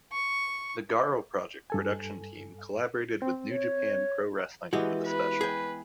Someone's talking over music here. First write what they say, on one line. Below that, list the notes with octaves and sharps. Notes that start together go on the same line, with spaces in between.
The Garo Project production team collaborated with New Japan Pro-Wrestling for the special.
C#6
G2 A4 G#5
C4
C#5
E3 G#3 B3 F#4 G4
B4
G#4 G5